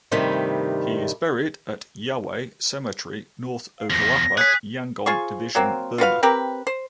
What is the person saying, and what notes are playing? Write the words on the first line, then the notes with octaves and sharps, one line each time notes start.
He is buried at Yayway Cemetery, North Okkalapa, Yangon Division, Burma.
G2 C3 D#3 G3 A3
F5
E2 F3 A#6
G#4 C#5 F#6 B6
F4 G#4 C5 C#6
F#3 A#3 C4
F4 F#4 B4 F5
C4 G4 A#4 B4
C5